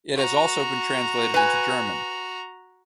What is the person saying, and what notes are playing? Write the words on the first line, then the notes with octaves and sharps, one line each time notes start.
It has also been translated into German.
F#4 A#5
B4 G#5